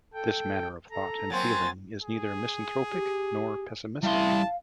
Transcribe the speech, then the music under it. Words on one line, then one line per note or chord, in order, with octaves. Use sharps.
This manner of thought and feeling is neither misanthropic nor pessimist.
A4 G5
A4 A#5
F#3 A#3 C4 G#5 A6
G#4
G4
A1 G3 E4 F5 A5 C6